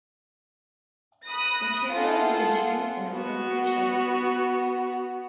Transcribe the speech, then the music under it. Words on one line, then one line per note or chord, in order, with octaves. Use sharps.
The camera would choose an appropriate shutter speed.
B5 D#6 F#6 A#6
F4 G#4 A4 F#5
B3 F#4